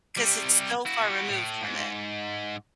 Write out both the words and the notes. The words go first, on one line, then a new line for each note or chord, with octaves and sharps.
'cause it's so far removed from it.
C3 G3
E4 F#4
A2
G#2